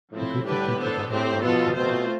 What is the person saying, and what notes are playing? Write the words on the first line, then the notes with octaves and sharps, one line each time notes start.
A group of people gather around a table.
A2 F3 C4 E4
D3 G3 D4 G4 B4
B3 D4 A4 C5
A2 C4 G4 C5
B2 F3 B3 F4 A4
B2 A3 C4 F4 C5